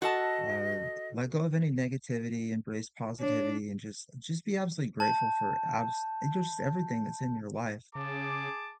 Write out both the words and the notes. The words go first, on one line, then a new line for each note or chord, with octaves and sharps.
uh, let go of any negativity, embrace positivity, and just just be absolutely grateful for abs and just everything that's in your life,
F#4 A4 D#5 A5
D4 C#5
A5 G6
C#3 G#4 A5 D6